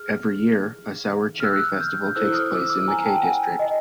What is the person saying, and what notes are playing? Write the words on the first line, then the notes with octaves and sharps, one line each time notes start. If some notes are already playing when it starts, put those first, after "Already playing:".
Every year, a sour cherry festival takes place in the Cay district.
Already playing: G#4 F6
F6
E6 F#6
F6 G6
E4 A4 C5 E6 F#6
D#6 F6
D6 E6
F6
D6 E6
G#5 A#5
G5 A5
F#5 G#5
D#5